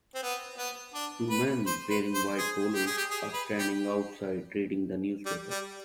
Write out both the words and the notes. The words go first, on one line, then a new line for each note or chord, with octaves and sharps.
Two men, wearing white polos, are standing outside reading the newspaper.
C4
B3
B3
D4
B4
C5
B4
C5
G#4
G4
G#4
G4
G#4
B4
G4
G3
G3